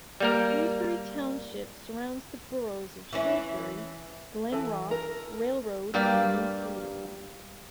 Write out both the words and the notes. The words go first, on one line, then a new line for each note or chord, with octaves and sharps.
Shrewsbury Township surrounds the boroughs of Shrewsbury, Glen Rock, Railroad, and New Freedom.
G3 A#3 A#4
E3 C#4
E3 A4 A5
A#4
G2 G3 A#3 G4 D5 F5